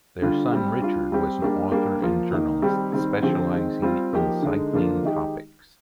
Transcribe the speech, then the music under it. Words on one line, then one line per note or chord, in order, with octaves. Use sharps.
Their son Richard was an author and journalist specializing in cycling topics.
D3 G3 D4 F4
G3 C4 G4
G3 D4 F4
G3 C4 G4
G3 A#3 D4 G4
G3 A#3 D4 G4
F3 A#3 F4
D#3 A#3 D#4
D#3 G3 C4 G4
D#3 G3 C4
D3 F3 C4 G4
D#3 G#3 C4
G3 C4 F4
F3 A#3 D#4 G4
D3 G#3 D#4
D3 F3 A#3 D4 F4
D#3 G#3 D#4 G4